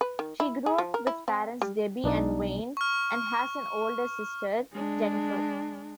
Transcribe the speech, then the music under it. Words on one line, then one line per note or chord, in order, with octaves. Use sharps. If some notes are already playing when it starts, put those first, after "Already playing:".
She grew up with parents Debbie and Wayne, and has an older sister, Jennifer.
B4
D#3
E4
G#4
F3
A#4
E4
C4
G3
B1 D4 D#4 D5
C#6 F6
G#3 D4